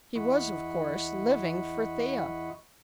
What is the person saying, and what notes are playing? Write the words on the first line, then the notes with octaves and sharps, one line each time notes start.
He was, of course, living for Thea.
E2 E4 D#5 F#5 B5 C#6